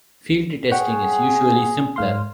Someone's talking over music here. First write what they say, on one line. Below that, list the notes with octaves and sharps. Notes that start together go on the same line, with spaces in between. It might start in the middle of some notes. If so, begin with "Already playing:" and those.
Field testing is usually simpler.
G#4 C#5 F#5 G5
G#2 F5 C6